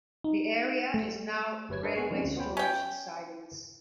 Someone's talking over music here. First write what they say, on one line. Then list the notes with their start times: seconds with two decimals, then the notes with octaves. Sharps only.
The area is now railway storage sidings.
0.24 D#4
0.94 A3
1.69 G1 G4 B4 C#5 G#6
1.83 D4 G#4 A#4 B4 C#5 E5
1.95 B3 G#5 C#6 C7
2.10 D#3 F3 G#3 A#3 C4 C#4
2.24 D2 C#4
2.37 B3 F4 C5 C#5 G5 B5
2.57 C#4 G5